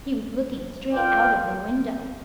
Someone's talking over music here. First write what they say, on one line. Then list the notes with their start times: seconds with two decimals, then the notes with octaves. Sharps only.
He was looking straight out of the window.
0.92 A#3 F4 D5 G5